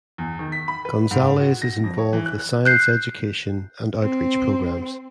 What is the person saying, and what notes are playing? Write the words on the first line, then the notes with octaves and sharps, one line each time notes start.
Gonzales is involved with science education and outreach programs.
E2
D#3
B6
B5
B4
G#2
F#4
A#6
F2
C#5
E3
F#6
F#6 G6 C7
C4